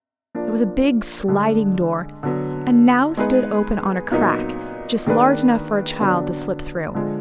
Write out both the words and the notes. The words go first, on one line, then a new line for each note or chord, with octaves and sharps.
It was a big sliding door, and now stood open on a crack just large enough for a child to slip through.
F3 A#3 D4
D3 G#3 D4
D3 F#3 B3
G#3 B3 D#4 G#4 B4
A#2 F#3 B3 D#4 A#4
D#3 A#3 D4 G#4 B4
D3 F#3 B3 D4
D3 F3 G#3